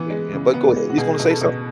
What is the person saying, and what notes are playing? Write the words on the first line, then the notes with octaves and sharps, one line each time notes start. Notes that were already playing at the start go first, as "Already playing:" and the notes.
We you know but go ahead, you was gonna say something?
Already playing: E3 B3
G#3
C#3
B3
G#3
F#4
B2 G#4
B2
B4
A4
B2